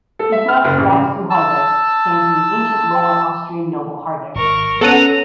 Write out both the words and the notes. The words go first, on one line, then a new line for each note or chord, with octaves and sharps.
Ignaz Graf zu Hardegg came from the ancient Lower Austrian noble Hardegg family.
A4
E5
F6
F#1
A1
C#3
A5 E6
G#1 A#4 C#6
B3 C#4 A4 F#5 A#5 D#7